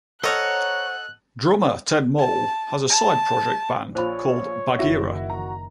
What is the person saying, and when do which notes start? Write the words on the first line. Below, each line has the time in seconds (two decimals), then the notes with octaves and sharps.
Drummer Ted Moll has a side project band called Bagheera.
0.24 A4 C5 C#5 D#5 F#5 A#5 F6 F#6
2.19 A5
2.90 A5
3.95 A#1 F4 C5 C#5 B5
4.79 F#1 D#3 E4 F#4 E5
5.30 F#4 A#5